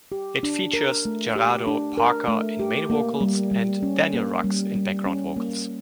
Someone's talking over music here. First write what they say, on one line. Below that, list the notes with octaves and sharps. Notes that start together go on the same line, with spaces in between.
It features Gerardo Parker in main vocals and Daniel Rucks in background vocals.
G4
D4
A#4
A3
G4
D4
A#4
A3
G4
A#3
G3
G3
C#4
A#3
G3
G3
C#4
A#3